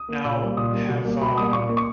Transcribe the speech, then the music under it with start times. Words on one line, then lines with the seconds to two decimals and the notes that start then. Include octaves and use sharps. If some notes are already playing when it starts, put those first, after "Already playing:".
Now, have, uh
Already playing: D#6
0.09 A#3
0.25 A#2 E6
0.41 G3 A#3
0.57 A#2 D#6
0.72 G3 A#3
0.89 B2
1.05 G3 A#3
1.21 B2 B5
1.37 G3 A#3 D#6
1.52 A#2 C#6
1.69 A#3
1.77 C#6